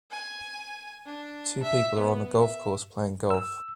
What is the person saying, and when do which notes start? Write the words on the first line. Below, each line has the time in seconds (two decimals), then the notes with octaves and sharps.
Two people are on a golf course playing golf.
0.11 G#5
1.06 D4
1.63 E5
1.97 B3
2.39 E5
3.30 E6